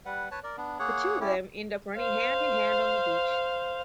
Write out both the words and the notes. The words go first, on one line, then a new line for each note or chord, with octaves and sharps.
The two of them end up running hand in hand on the beach.
G3 B4 F#5
B4 C#5 A5
A#4 D5
B3 D4
A#3 G#4 C#5 F#5
C#4 E4 G4
C5 F5